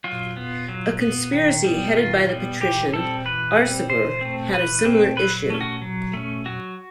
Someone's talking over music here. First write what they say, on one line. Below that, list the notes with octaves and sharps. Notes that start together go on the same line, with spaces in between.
A conspiracy headed by the patrician Arsaber had a similar issue.
F#3 F4
B3
F#3
B3
D#3
G3 B3
D#3 F4
G3 B3
E3 G4
G3 C4 A4
E3 B4
G3 C4
E3 C5
A3 C4
E3 B4
A3 C4
F#3 B4
A3 C#4
F#4
F#3
A3 C#4
F#3 F#4